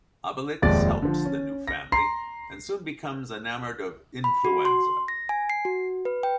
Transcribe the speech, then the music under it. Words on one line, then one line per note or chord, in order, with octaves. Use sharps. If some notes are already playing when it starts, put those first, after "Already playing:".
Obelix helps the new family and soon becomes enamored of Influenza.
D#1 F2 G#3 D5 A6
D3 F3
C#4
A#6
A#5 C6 C7
B5
F#4
C6
A#6
G#5
C7
F#4
B4
G5